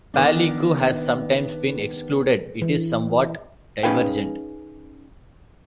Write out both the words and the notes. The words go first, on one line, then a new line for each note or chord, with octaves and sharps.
Palyku has sometimes been excluded; it is somewhat divergent.
D#3 B3 D4
E3
C#4 D#4 G#4 B4 F5 G5